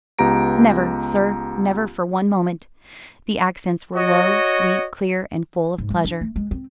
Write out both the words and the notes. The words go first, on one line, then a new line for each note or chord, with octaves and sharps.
"Never, sir; never for one moment." The accents were low, sweet, clear, and full of pleasure.
C#2 B3 G4 A#5 D7
F#4 C#5 D#5
G#2
G3
D4
A3
G#3
C4